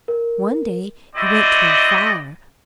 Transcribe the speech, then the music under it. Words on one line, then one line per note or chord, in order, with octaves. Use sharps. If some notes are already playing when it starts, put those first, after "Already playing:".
One day he went to a fire.
A#4
C4 E4 F#4 D5 D#5